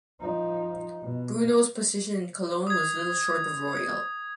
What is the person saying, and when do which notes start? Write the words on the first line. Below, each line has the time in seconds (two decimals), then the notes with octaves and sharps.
Bruno's position in Cologne was little short of royal.
0.21 F3 D#4
1.02 B2
2.67 D#6 G#6